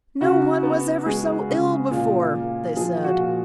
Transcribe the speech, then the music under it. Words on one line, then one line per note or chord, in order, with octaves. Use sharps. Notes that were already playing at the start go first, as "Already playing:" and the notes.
"No one was ever so ill before," they said.
C#3 F#4
B3
G#3 G#4
C#3
A#2 G#4
A#3
F3 G#4
F#4
A#2